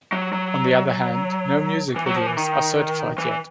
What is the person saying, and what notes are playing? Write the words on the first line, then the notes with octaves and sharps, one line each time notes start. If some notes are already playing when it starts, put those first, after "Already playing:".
On the other hand, no music videos are certified yet.
F#3
F#3
E3
F#3
F3
E3
D#3
E3